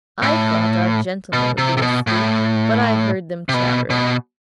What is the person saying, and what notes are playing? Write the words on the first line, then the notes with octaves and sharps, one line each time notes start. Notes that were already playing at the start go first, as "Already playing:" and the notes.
I thought our gentlemen would be asleep, but I heard them chattering.
A2
B2
C3
C3
B2
A2
C3
B2
B2